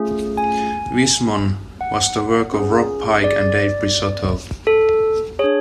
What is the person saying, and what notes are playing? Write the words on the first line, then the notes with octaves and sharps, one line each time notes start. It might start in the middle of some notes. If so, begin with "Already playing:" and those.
Vismon was the work of Rob Pike and Dave Presotto.
Already playing: A3 C#4 F4 G#4
G#5
F#5
C#4 G#4
D5
A4
D4 G#4 C#5